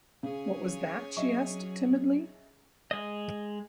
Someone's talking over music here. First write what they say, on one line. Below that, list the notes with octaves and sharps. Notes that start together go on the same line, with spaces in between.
What was that? she asked, timidly.
C#3 C#4 G#4 C#5
F#3 D#5 E5 C#6
G#3 D#5